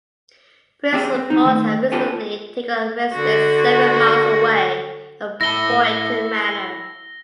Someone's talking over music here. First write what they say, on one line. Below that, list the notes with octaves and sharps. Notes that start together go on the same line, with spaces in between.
Prince Leopold had recently taken up residence seven miles away at Boyton Manor.
C4 C#4 G4 G#4 C5
C4
D#2 D#4
D#3 A3
B3 C#4 F4 G4 A4 B4
D3 F#4
E4 A4 A#6 G7